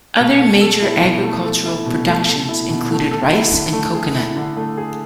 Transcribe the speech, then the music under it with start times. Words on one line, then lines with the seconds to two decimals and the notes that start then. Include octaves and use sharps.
Other major agricultural productions included rice and coconut.
0.20 B2
0.40 A3
0.61 A4
0.82 E4
1.03 B2
1.24 A3
1.45 A4
1.66 E4
1.86 B2
2.07 A3
2.28 A4
2.49 E4
2.70 B2
2.91 A3
3.11 A4
3.32 E4
3.53 D3
3.73 A3
3.94 G#4
4.15 E4
4.36 D3
4.57 A3
4.78 G#4